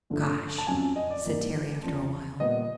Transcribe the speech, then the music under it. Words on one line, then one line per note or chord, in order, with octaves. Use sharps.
"Gosh!" said Terry, after a while.
G2 D3 F3 A3
A5
F2 C#3 F#3 G#5
D#5
D5
G#2 E3 G3 A#3
E2 C#3 F3
A#2 G3 B3 D#5